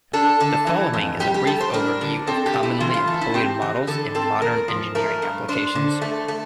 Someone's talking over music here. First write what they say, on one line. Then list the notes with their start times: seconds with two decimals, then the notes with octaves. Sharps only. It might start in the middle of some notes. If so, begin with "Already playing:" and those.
The following is a brief overview of commonly employed models in modern engineering applications.
0.13 D4 A4
0.40 D3 A4
0.67 E3
0.93 F2
1.20 G3 G4
1.34 G4
1.47 G3 A4
1.61 C5
1.74 D4 A#4
2.01 D3
2.27 C4 A4
2.46 G4
2.54 A3
2.63 E4
2.80 E3 F4
2.94 F4
3.07 A3 A4
3.21 E4
3.34 C4 G4
3.62 E3
3.87 D3 A4
4.15 C4 A4
4.42 E2 A#4
4.68 F3
4.95 A3 A#4
5.22 G2
5.48 D4 C5
5.75 D3
6.02 A3
6.28 A3